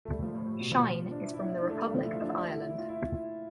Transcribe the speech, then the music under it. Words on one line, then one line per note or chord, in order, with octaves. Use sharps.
Shine is from the Republic of Ireland.
A3
G3
F3
A2
A2
B2
F3
D4
E4
E4
E4
D4
A3
G3
F3
E4
F4
D4
E4
E4
E4
E4
F4
E4